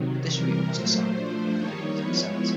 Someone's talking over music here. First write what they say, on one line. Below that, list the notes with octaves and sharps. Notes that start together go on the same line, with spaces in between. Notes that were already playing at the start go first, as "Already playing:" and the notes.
The distributor must decide whether a video is exempt.
Already playing: C3 D#3 F#3
C3 E3 G3 A#4
A#2 F#3 A3 C5
F3 A3 D4
D#3 G3 A#3 D#4 C#5
F3 G#3 B3 E4